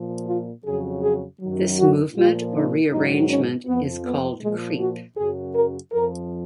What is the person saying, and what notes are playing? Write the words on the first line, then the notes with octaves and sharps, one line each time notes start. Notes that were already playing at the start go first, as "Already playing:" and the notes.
This movement or rearrangement is called creep.
Already playing: A#2 F3
F4
F2 C#3 F#3 G#4
G#4
F#2 D#3 F#3
F#4
A#2 F3 F4
D#4
G#2 D#3 F#3 D#4
C#4
F2 F3 B3
B3
A#2 F3 G#3
F#4
F#2 C#3 F#3 G#4
A#4
F2 F3 A#4